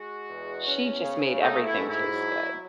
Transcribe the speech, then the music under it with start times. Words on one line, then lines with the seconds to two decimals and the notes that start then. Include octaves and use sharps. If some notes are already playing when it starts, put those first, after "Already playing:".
she just made everything taste good.
Already playing: G#3 F#4
0.30 E2
0.67 C#4
1.03 C#3
1.40 A3 D#4
1.64 E4
1.76 G#2
1.88 E4
2.13 F#3